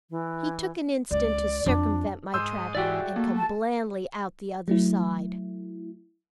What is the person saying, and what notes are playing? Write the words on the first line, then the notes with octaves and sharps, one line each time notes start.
He took an instant to circumvent my trap and come blandly out the other side.
E3
C#2 D5
F2 F3 D4
G#2 D#5 C6 E6 G6
G#2 E3 G#3 F#4 G4 D5 E5 G5
A3 A#3
A5
F#3 A3 E4